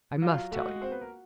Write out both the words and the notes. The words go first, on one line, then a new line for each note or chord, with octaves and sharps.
I must tell you.
F#3 F4 F#4
A3 F#4 A4
G#3 G#4
C4 C5
B3 B4
A#3 A#4